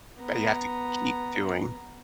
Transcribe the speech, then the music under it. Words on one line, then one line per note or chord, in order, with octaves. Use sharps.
That you have to keep doing.
B3 A#5